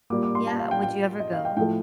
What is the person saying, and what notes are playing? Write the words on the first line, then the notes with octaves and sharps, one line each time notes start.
Yeah, would you ever go?
A#2 G3 A#3 D6
D6
C6
A5
F5
G5
G5
D#5
F5
G5
A2 F3 A3 G5